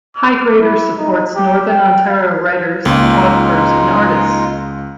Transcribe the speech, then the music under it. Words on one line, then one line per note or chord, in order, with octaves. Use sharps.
"HighGrader" supports northern Ontario writers, photographers and artists.
D6
E4
D#4
G4
G5
F5
C#2 G#3 A#3 D#4 F4